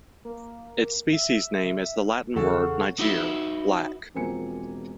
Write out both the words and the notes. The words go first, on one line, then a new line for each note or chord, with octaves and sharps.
Its species name is the Latin word "niger" "black".
A#3
E5
E2 C#3 A4 F#5
D#4 F#4 B4 E5
E1 F3 A#3 C4 G#5 C#7